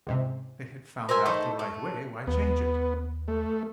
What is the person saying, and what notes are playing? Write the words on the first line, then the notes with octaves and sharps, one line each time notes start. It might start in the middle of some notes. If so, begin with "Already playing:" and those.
"If they had found out the right way, why change it?"
C#2 G#2 C3
A#4 C5 E5 G#5
A3 D#4 A4 C5
A3
D#2 B3
A3